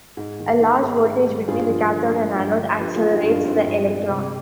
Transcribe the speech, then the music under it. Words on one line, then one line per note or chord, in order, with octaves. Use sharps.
A large voltage between the cathode and anode accelerates the electrons.
G#2
D#3
D#3
G#2
G#2
G3
G2 F4 G#4
F3
D3
F3
G2
D3
F3 G4 B4
F4 G#4
F3
D#4 G4
G2
D4 F4
G2 C4 D#4
G2
G#3
C3